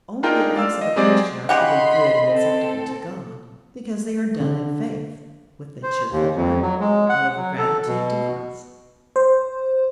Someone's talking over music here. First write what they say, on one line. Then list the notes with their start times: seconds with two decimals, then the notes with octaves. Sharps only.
Only the acts of a Christian are truly good and acceptable to God, because they are done in faith, with a cheerful heart, out of gratitude to Christ.
0.23 D4 D#4 F4 G#4 A#4 G5
0.56 D5 F5 E6
0.81 D#5
0.96 F#3 G#3 C4 G4 G#4 D5
1.49 C#3 G4 D#5 F#5 B5 C6
2.28 C4 A4
4.40 D3
5.83 C5
6.12 D#2
6.35 F2
6.62 F#3
6.80 G#3
7.09 F#5
7.37 F#3
7.58 A4
7.87 B2
9.16 C5